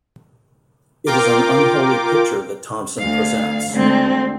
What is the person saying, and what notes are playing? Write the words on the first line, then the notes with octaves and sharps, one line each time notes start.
It is an unholy picture that Thompson presents.
F4 A#4 G5 D6
D2 F5
D2 D3 G#3 C4